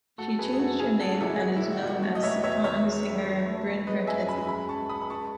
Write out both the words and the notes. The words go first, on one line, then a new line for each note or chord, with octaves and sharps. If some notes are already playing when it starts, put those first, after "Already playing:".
She changed her name and is known as soprano singer Bryn Vertesi.
A3 F#4 A4
A4
F#2 G#4 B4
G#4
F#2 F#4 A4
C#3 E4 G#4
F#3 F#4 A4
F#4
G#1 E4 G#4
G#4
G#3 F#4
E4
D#2
F#4
D#2 F#4
A3 F#4
D#5
E2 C#5 E5
E2 C#5 E5
D#3 C#5 E5
G#3
E1
F#3
A3
E2
G#3 B4 D#5
F#2 E5 G#5
F#2 G#5 B5
G#3 G#5 B5
C#2 A5 C#6
C#2 B5 D#6
B5
G#3 A5 C#6